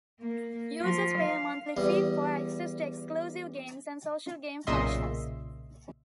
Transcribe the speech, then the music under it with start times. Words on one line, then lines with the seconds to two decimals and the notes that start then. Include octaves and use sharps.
Users pay a monthly fee for access to exclusive games and social game functions.
0.20 A#3
0.81 F3
1.18 F5
1.77 E2 G3
4.67 B1 A#2 C#3 D#5 E5 C6